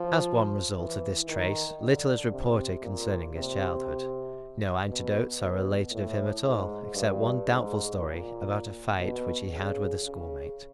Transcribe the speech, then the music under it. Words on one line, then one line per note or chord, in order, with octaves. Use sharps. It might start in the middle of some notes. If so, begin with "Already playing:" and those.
As one result of this trait, little is reported concerning his childhood. No anecdotes are related of him at all, except one doubtful story about a fight which he had with a schoolmate.
Already playing: F3
E3
D#3
D3
C3
A#2
C3
B2
B2
A2
G#2
G2
G#2
A#2
B2
C#3
C#3